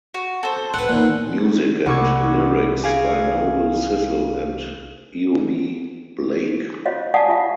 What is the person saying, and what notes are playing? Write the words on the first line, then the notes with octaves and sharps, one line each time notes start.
Music and lyrics by Noble Sissle and Eubie Blake.
F#4
A4 C5
C4 B4 F#5
D#2 A#2
C2 F#5 C#6 D6 G#6
G4 G#4 F5 G#5 G#6
F4 F#4 C5 C#5 D#5 F5
D5 F5 F#5 G#5 A5 D#6
F4 G4 E5 F5